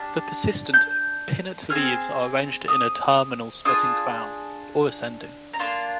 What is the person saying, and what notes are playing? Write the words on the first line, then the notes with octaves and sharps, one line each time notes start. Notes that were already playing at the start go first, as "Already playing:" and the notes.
The persistent, pinnate leaves are arranged in a terminal spreading crown, or ascending.
Already playing: D4 G4 F6
G6
C4 F4 G#4 F6
D#6
D4 F4 G#4 D#6
A#5
A#3 D4 F4 C6